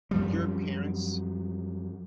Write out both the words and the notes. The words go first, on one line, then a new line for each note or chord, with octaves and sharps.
your parents
F#2 F3 G3